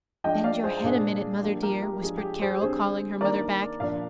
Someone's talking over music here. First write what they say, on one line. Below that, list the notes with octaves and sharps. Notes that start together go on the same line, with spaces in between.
"Bend your head a minute, mother dear," whispered Carol, calling her mother back.
F3 G#3 D4 D#5 G5
D5 F5
G#4 C5
A#2 G#3 D4 G#4
F3 A#3 D4 G4
G4 A#4
G4 A#4
F3 G#3 D4 G#4
G4
G#4
G#4 C5
D3 G3 C4 G#4 C5
D#3 A#3 D4 A#4 D5
A#2 F3 A#3 D4 D5 F5